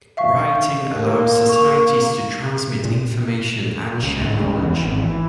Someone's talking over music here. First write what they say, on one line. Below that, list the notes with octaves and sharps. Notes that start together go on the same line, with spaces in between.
Writing allows societies to transmit information and share knowledge.
E5 F5 C#6
D#2
A#3
C#6 F7
A#2
C#2
D1
C#2
E2
G#1
E3